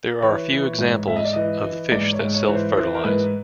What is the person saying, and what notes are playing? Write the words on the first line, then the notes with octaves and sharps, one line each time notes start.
There are a few examples of fish that self-fertilise.
E3 C#5
E3
G#2
G#2 E5
D#5
D5
E3 D#5
E3
G#2 D5
C#5
G#2
C#5
E3
C5
E3 C5
A#4
G#2 B4